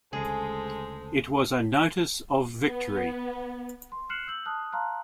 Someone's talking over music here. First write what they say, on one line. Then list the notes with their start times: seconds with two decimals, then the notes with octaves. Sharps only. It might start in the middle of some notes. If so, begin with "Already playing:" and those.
It was a notice of victory.
0.13 D2 C#3 G#3 G#4 A4 C5
2.68 B3
3.92 C6
4.10 F6 F#6 C7 C#7 E7 F#7
4.27 E6 G6 F#7
4.45 A5 D#6 F6 F#6
4.72 F5 A5 A#5 C6 F6 F#6